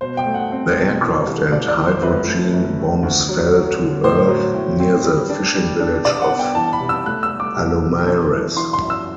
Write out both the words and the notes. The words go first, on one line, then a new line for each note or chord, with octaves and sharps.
The aircraft and hydrogen bombs fell to earth near the fishing village of Palomares.
B2 C5
G5
A3
F#5
C4
B2
E3
C2
C2 D5
D5
E3
C5
F#2 B4
A3
F#2
A3
D2
F#3
F#3
D3
A2 C5
F#3
A2
C4
G3
D4
G3
D4
C2 D5
F#5
B3
G5
E3 A5
B5
C3
E6
A3 F#6
E6
A3
D6
C2
B2
D4
E3
E3 C6
C6
F#2
E6